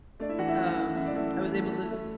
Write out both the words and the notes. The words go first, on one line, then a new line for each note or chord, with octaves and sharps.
um, I was able to
A3 D4 D5
E4 E5
E3 F#4 F#5
E4 E5
F#2 F#4 F#5
E3
F#2 E5
D5
A3 E4 E5
E3
A3
A3
A3